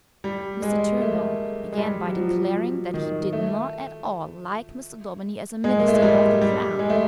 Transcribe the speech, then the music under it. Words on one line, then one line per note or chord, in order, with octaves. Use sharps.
Mr. Turnbull began by declaring that he did not at all like Mr. Daubeny as a Minister of the Crown.
G3
G#3
A#3
A3
G#3
G3
F#3
F3
D#3
A3
G#3
A#3
A3
G#3
G3
G3
G#3
A3